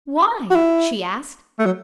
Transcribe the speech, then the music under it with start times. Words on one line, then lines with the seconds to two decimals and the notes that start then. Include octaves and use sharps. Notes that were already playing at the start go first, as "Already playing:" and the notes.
"Why?" she asked.
0.50 F#4
0.55 E4
1.59 A3
1.66 F#3